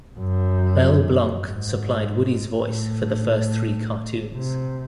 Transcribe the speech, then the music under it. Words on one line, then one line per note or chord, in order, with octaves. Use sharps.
Mel Blanc supplied Woody's voice for the first three cartoons.
F#2
G#2
A2
C3